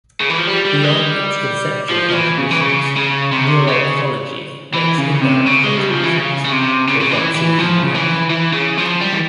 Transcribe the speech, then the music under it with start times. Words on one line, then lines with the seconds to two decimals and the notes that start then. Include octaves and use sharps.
Beyond its conceptual contributions, neuroethology makes indirect contributions to advancing human health.
0.20 C#3
0.30 E3
0.38 F3
0.47 G3
0.65 G3
0.83 G#3
1.00 G3
1.89 F3
2.09 F3
2.13 E3
2.37 C#3
2.51 E3
2.61 C#3
2.96 C#3
3.32 C3
3.68 C#3
4.74 E3
4.98 C#3
5.21 C3
5.46 C#3
5.64 G#3
5.77 G3
5.90 F3
6.04 E3
6.17 C#3
6.45 C#3
6.52 C3
6.88 C#3
7.01 C#3
7.11 E3
7.35 E3
7.59 F3
7.83 C#3
7.95 E3
8.30 E3
8.53 C#3
8.78 F3
9.01 G3
9.13 E3